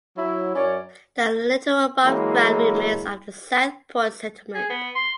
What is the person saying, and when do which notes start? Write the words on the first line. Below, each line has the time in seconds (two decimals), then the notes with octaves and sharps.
There are little above ground remains of the South Point Settlement.
0.18 F#3 E4
0.56 F#2 C#4 C#5 D5
2.04 E3 F#3 G#3 A#3 E4
4.54 G#4
4.70 B3
4.95 C6